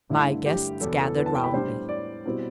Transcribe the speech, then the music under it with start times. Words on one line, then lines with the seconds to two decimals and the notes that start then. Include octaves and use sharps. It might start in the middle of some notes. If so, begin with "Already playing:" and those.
My guests gathered round me.
0.10 G2 D3 A3 E4
0.46 G4
0.81 E2 B2 B3 A4
1.00 A4
1.18 B4
1.26 A5
1.35 G5
1.44 B5
1.53 A2 G3 D4 C5
1.89 D5
2.26 B2 G3 C4 E4